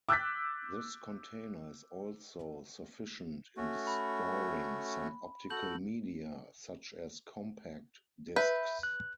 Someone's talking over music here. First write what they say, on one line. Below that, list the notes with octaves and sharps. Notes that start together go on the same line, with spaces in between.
This container is also sufficient in storing some optical media, such as compact disks.
D6 E6 F#6 G6 A6 B6
A3 C#4 F#4
B5
F#4 A4 G6 F#7
B4 E5 B5 G6
F#6